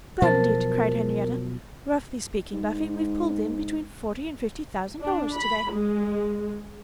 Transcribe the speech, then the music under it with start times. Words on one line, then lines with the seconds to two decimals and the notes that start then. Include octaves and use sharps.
"Splendid!" cried Henrietta "Roughly speaking, Bunny, we've pulled in between forty and fifty thousand dollars to-day."
0.22 B2 F3 F#3 A#4 C5 A5 A6
2.53 G#2
5.01 D4
5.36 B5
5.71 G#3